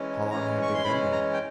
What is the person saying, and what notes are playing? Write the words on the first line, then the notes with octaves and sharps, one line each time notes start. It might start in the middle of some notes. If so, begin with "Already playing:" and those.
"How long have they been there?"
Already playing: E3 G#3 C#4
E3 G#3 C#4 A#5
C#6
C6
E3 G#3 C#4 B5
A#5
G5